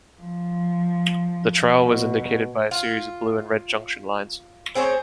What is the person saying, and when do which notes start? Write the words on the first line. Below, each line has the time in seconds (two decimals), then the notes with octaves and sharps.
The trowal is indicated by a series of blue and red junction lines.
0.22 F3
1.81 B2
2.71 F4
4.75 C4 G#4 C5 C#5